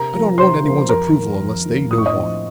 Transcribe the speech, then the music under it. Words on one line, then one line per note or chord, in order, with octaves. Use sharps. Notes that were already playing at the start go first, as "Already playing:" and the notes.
I don't want anyone's approval unless they know why.
Already playing: C3 A#4 A#5
F3 A#3
C3 C5 C6
F3 A#3
F2 A#4 A#5
D#3 A#3
F2
D#3 A#3
A2 D#6
C#6
D#5 D#6
F3 C4